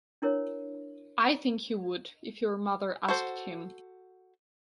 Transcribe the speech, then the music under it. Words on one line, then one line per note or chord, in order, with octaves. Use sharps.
I think he would, if your mother asked him.
D4 E4 A#4 C#5
F#4 A4 C5